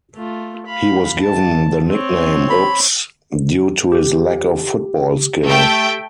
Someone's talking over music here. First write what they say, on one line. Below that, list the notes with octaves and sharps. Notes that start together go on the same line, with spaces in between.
He was given the nickname "Oops" due to his lack of football skill.
A3 F4
F5 B5
A5
C4 C#5
B5
G4
A3 G5